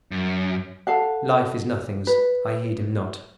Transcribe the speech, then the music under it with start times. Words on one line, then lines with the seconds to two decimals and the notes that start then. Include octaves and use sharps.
Life is nothings; I heed him not.
0.11 F#2
0.87 A4 F5 F#5
2.07 B4